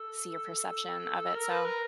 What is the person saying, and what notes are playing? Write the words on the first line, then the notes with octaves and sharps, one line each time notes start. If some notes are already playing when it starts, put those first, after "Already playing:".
see your perception of it, so I
Already playing: A4
A#4
B4
A#4